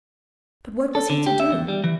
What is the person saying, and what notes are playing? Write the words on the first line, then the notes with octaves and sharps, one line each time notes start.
But what was he to do?
A4
D3
G4
E5
E2
G3
E3